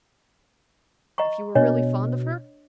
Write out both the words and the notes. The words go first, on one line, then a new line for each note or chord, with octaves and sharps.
"If you were really fond of her?"
D#5 A#5 C#6
B2 D4 C#5 D#5